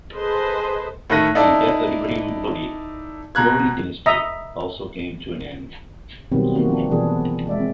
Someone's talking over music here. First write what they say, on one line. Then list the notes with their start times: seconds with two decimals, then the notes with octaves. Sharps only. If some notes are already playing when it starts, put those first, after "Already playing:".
With the death of Ibrahim Lodi, the Lodi dynasty also came to an end.
0.13 G#4 A4 B4 C5 D#5
1.10 A2 D#3 A3 F#6 A#6 D#7
1.35 D#4 E4 A4 D5
3.35 B2 A#5 F#6 G#6
4.06 D#5 E5 A#5
6.32 B2 D#3 F#3 G3 B3 C4
6.55 D#3 A3 A#3 C4 F#4
6.69 F3 B3 C4 D4
6.91 B2 E3 F3 B3 D4 G#4
7.47 G#3 D5 E5
7.60 C4